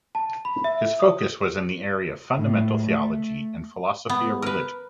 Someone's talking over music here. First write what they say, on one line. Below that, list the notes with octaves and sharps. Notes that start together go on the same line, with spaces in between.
His focus was in the area of fundamental theology and philosophy of religion.
A5
B5
E5
D#6
A2
A3
B3
A#4 B4